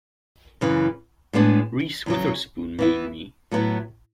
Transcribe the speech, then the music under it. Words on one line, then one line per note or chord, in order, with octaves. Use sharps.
Reese Witherspoon made me.
F#2 C#3 E3
A2 G#3 B3 D4 G#4
E2 C#3 F#3
E3 B3 E4
A2 F#3 B3 E4